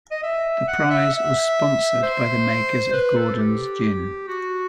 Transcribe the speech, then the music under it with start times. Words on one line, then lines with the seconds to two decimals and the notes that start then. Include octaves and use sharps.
The prize was sponsored by the makers of Gordon's Gin.
0.11 D#5
0.23 E5
0.68 F#5
0.90 E5
1.13 E5
2.03 C5
2.93 B4
3.16 A4
3.38 G4
4.28 F#4